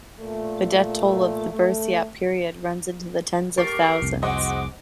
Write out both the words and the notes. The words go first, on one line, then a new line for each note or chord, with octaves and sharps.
The death toll of the "Bersiap" period runs into the tens of thousands.
A#2 A3
A3
A3 G4 A#4 C#6 D6 A6 C7
F1 C2
B3 F#4 G#4 C5 D#5 F#5 D6